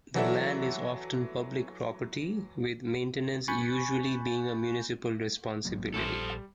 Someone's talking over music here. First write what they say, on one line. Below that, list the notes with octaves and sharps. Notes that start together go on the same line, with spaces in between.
The land is often public property, with maintenance usually being a municipal responsibility.
E3 F#3 F#4 A4 D5 E5
G#5 B5 C#6 F#6 G6 A6
G#1 F#3 A#3
A#1 F#2 A2 E3 A4 C5
G3